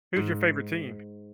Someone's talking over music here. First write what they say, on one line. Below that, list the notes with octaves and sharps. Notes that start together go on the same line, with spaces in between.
Who's your favorite team?
G#2